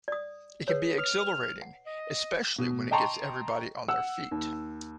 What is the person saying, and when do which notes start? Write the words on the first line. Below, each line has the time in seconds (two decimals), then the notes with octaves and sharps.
It can be exhilarating, especially when it gets everybody on their feet.
0.08 D5 D#6
0.68 G#4 B4 C#5
0.98 D#6 F6
1.62 F#5
1.86 D#5
2.58 B2
2.91 D#5 G5 A5 A#5 C6 C#6
3.88 F#5 E6
4.31 D#2